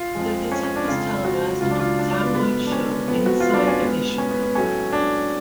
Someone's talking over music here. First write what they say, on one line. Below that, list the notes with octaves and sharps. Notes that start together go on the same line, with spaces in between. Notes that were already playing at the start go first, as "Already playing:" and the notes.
The visit was televised on the tabloid show Inside Edition.
Already playing: F4
F2 F3 G#3
C#4
C#4
D4
F2 C#3 G#3 F4
F#4
C#2 C#3 F#3 F4
D4
F4
D4
D4
B3
G#2 F#3 A3 B3
D4
C#4
F2 F3 A3 B3
F#4
F4
D4
C#4
G#2 G#3 B3
B3
C#4
B3
B3
A2 F#3 A3 C#4
D4